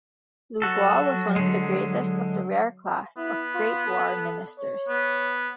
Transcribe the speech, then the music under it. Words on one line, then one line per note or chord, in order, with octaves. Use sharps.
Louvois was one of the greatest of the rare class of great war ministers.
F#3 F#4 A4
D3 G#3
B3 E4
F4
A4
C#5
B3